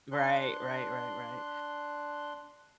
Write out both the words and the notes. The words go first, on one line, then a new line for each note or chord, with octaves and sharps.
Right, right, right, right.
D4 C6 F#6